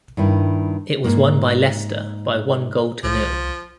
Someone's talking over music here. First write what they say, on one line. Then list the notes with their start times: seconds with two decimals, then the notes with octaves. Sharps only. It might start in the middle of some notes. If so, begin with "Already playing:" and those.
It was won by Leicester by one goal to nil.
0.17 G2 D#3 E4
1.04 G#2 A#3
3.04 C2 F3